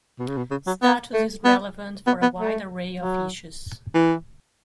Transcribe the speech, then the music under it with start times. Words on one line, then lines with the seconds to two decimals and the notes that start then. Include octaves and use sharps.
Status is relevant for a wide array of issues.
0.19 B2
0.28 C#3
0.37 B2
0.51 C#3
0.67 F#3
0.82 B3
1.14 A3
1.45 B3
2.07 B3
2.22 B3
2.38 A3
3.00 F#3
3.94 E3